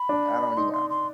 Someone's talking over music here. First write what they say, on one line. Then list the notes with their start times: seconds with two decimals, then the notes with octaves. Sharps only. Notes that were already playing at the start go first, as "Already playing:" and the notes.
I don't need a
Already playing: B5
0.09 D4
0.57 D#4 C6
0.73 C6
0.90 C6